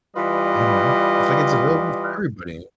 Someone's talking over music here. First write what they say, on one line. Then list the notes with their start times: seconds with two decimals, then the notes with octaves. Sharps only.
Mhm. It's like it's available for everybody.
0.16 E3 G3 F4 B4 D5 D#5